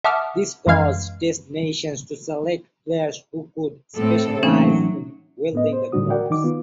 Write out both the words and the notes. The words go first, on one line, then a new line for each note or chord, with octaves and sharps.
This caused Test nations to select players who could specialise in wielding the gloves.
E5 F#5 A5 D6 D#6 F6
F#2 E3 G#3 F5 F6 G#6
A2 C4 A4
E3 F#3 A3 A#3 C4 C#4 D#4
A2 B3 D#5
C5
A2 D3 G3 D4 F#4 D#6
F#4 A#4 D5 F#5 G5
D#3 D#4 D6
B3 F4